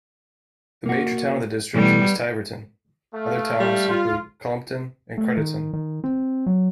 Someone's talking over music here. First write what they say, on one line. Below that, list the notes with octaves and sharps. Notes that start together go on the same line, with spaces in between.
The major town of the district is Tiverton; other towns include Cullompton and Crediton.
A#3 F#4
B2 E3 G3 A3 B3
A3 F5
G3
F4
A3
D#3
D#3
C4
F#3